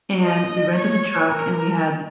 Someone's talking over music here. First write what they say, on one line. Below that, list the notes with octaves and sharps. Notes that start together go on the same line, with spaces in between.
and we rented a truck and we had
D#5
C#5
A#4